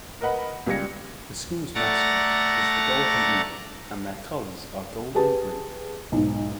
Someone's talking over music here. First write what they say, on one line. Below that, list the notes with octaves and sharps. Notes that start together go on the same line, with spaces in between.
The school's mascot is the golden eagle and their colors are gold and green.
A#4 B4 D#5 F#5 B5
C#2 G3 G4 G#6 A#6 C#7
A3 D5 F#5 A#5 A#6
G4 G#4 B4 A5
B1 G#2